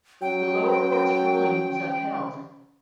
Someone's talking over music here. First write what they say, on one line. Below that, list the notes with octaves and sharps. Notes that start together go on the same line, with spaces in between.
The lower court's ruling was upheld.
F#3 C#4 G5